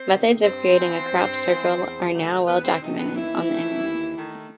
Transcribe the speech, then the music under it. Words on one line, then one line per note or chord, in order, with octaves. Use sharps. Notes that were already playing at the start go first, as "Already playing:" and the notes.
Methods of creating a crop circle are now well documented on the Internet.
Already playing: C4 C5
C3 D#3
G2 C4 C5
E3 B3
G2
E3 B3
E2
C3 D#3 F#3 A3
E2 B3 B4
C4 C5
C3 D#3 F#3 A3 D#4 D#5
B3 B4
D#2 E3 E4
D#3 A3
D#2
D#3 A3